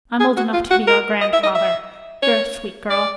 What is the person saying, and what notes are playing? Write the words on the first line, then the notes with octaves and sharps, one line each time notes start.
I'm old enough to be your grandfather. You're a sweet girl.
G#4
F#4
F4
F#4
A#4
D#5
E5
D#5
E5
C#5
D5